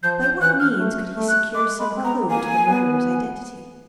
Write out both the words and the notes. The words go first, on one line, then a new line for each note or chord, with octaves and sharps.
By what means could he secure some clue to the murderer's identity?
F3 G6
G6
E3 F#6
F6
A3
A3
F#6
G#3 D6
G#3 B5
C4
B3 A#5
A#3 G#5
B3